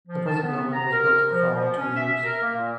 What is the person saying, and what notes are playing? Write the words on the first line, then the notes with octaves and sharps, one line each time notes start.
The present building was built in the following two years.
F3
A5
B3
A#5
A#4
F3
F3
C#4
E5
A#4
A#3
A#2